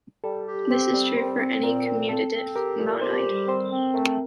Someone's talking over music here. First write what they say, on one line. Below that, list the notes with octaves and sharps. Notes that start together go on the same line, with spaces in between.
This is true for any commutative monoid.
G3 A4
G4
C4 C5
G3
C4 C5
C4
A#2 A#4
C4
C4 A4
C4
G4 A#4
A#2
G4 C5
G3
C4 C5
C4
A3 A#4